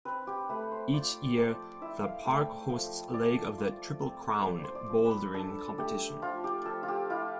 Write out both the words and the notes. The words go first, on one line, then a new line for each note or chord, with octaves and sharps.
Each year, the park hosts a leg of the "Triple Crown" bouldering competition.
C4 B4
G4
A3 B4
C5
F4 D5
F3 D5
E4 E5
F5
A3 G5
F3
F3 D5
F4
C4
F3 D5
C5
D5
F3
B4
D4 A4
A3 G4
F3 F4
G4
F3 A4
F4
G4
E4 F4